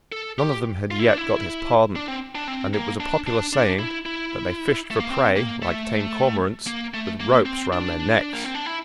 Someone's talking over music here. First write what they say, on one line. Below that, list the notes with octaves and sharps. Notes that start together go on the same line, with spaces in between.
None of them had yet got his pardon; and it was a popular saying, that they fished for prey, like tame cormorants, with ropes round their necks.
A4
G4
F4
E4
D4
E4
D4
C4
D4
C4
A#3
D4
D4
D4
E4
E4
A3
A#3
C4
A#3
A3
A#3
A3
A#3
C4
D4
A#3
C4
D4
E4